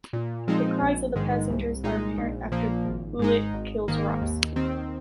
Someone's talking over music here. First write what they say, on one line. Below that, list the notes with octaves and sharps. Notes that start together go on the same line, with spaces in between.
The cries of the passengers are apparent after Bullitt kills Ross.
A#2
F3 G#3 C4 D#4
A#1
G#2 D#3 G#3
C2
A#2 G#3 D#4
A#1
A#2 F3 A#3
G#1
G#2 G#3 D#4
G#1
G#2 D#3 A#3
D#2
D#3 C4